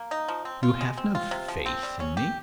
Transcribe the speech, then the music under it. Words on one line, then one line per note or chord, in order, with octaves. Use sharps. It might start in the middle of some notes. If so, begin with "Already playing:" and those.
"You have no faith in me?"
Already playing: A#3
D#4
F3
C4
F4
G#3
C4
F4
C3
F3
C4
G3
C#4
G4